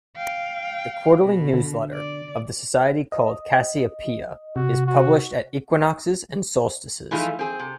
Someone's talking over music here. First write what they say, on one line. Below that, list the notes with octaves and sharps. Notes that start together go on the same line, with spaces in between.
The quarterly newsletter of the Society, called "Cassiopeia" is published at equinoxes and solstices.
F5 G5
B2
D3
D5
D#5
C3 F#4
F#4
E3 F3 A3 D#4 F4 G#4
C4 G#4
C3